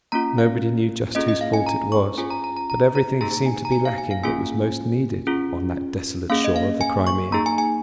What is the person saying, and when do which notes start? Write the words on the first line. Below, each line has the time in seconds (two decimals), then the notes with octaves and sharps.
Nobody knew just whose fault it was, but everything seemed to be lacking that was most needed on that desolate shore of the Crimea.
0.12 A#3 C#4 F4 A#5
0.38 F5
1.15 A#3 C#4 F4 G#4 D#5
1.28 D#5
1.41 F5
1.53 G#5
1.67 A#5
1.92 C#6
2.18 C#4 F4 G#4 G#5
2.30 A#5
2.44 A#5
2.57 A#5
2.70 A#5
2.95 A#5
3.21 A#3 D#4 G#4 A#5
3.46 G#5
3.65 A#5
3.72 G#5
3.85 F5
3.98 G#5
4.11 F5
4.23 A#3 C#4 F4 G#4 G#5
5.27 C#4 F4 G#4
6.30 A#3 C#4 G#4 F5
6.44 D#5
6.56 F5
6.81 G#5
7.07 C#6
7.32 A#3 D#4 G#4 A#5
7.46 G#5
7.58 G#5